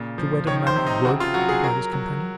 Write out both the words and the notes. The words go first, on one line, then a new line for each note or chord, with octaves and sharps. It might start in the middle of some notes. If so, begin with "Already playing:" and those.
"To wed a man of wood," replied his companion.
Already playing: A#2 C#3
F3
D#3 C#5
C5
C3
D#4
C#3 F#4
F4
F#3 F#4
G#4
F#3 A#4
F#3